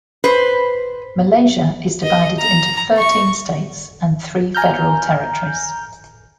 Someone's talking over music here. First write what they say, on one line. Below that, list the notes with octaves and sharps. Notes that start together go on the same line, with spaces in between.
Malaysia is divided into thirteen states and three Federal Territories.
B4 C5
D#5
A#5
C#6
G#5 A#5 F6 G6